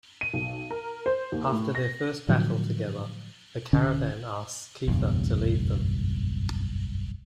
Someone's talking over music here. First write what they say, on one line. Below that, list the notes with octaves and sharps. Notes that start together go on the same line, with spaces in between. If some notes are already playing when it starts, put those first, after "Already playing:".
After their first battle together, the Caravan asks Keifer to lead them.
D#7
B1
A#4
C5
D#2
A2
A#6
A2 D3 F3 F#3
D1 D3 C#4
F#1 B1 E2 G2